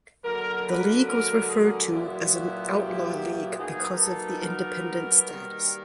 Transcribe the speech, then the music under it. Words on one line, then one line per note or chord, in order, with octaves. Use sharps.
The league was referred to as an "outlaw" league because of the Independent status.
D3 F#3 A#3 A#4
B4
A#4
G#4
A#2 F#3 B3 E4
F#4
G4
B2 F#3 A#3 D#4 G#4
A4
A#4
D#3 G3 A#3